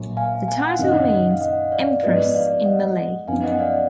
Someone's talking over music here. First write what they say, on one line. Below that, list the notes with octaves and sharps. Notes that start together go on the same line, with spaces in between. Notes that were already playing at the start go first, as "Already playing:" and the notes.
The title means 'Empress' in Malay.
Already playing: A#1 A#2 F#3
F5 G#5
G#5
F#5
F5
F#1 F#2 D#3 D#5 F#5
F5
D#5 F#5
D5 F5
D5
G#2 F3 B3 F4 B4 D#5
D5 F5
D#5 F#5
F#2 F3 B3 D#4 F5 G#5
D#5 F#5
D5 F5